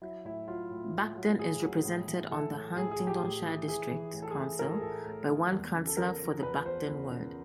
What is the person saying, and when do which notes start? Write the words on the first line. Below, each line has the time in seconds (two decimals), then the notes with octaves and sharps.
Buckden is represented on Huntingdonshire District Council by one councillor for the Buckden ward.
0.02 F#3 E4
0.25 A2 E4
0.47 F#3 F4
0.71 A2
0.94 A2
1.17 F#3
1.39 A2 G#4
1.62 F#3
1.85 A2
2.08 E3
2.31 E3 A4
2.53 A2
2.76 A2 G#4
2.91 G#4
2.99 A2
3.07 G4
3.23 A2
3.46 E3
3.68 E3 G#4
3.91 E3
4.14 A2 G#4
4.22 A4
4.31 G#4
4.36 E3
4.59 A2 A#4
4.67 A4
4.75 G#4
4.81 A2 A4
5.06 A2
5.28 E3
5.51 E2
5.75 C#3
5.87 A4
5.97 E2 A#4
6.20 F3
6.43 E2 B4
6.65 E2 C5
6.89 E2
7.11 C#3